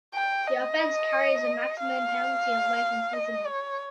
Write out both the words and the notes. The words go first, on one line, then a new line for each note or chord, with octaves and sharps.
The offence carries a maximum penalty of life imprisonment.
G5
D#5
F5
D#5
C#5